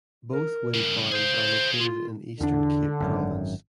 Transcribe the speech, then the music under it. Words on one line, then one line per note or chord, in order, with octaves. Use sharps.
Both wind farms are located in Eastern Cape Province.
A#4
G2 C#3
G#4 C5 F5
F4
E2 D3 D4
G#1 F#2